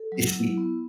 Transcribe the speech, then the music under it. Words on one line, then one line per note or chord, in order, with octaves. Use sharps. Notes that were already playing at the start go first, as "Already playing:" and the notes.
you see
Already playing: A4
F#3
E4
B3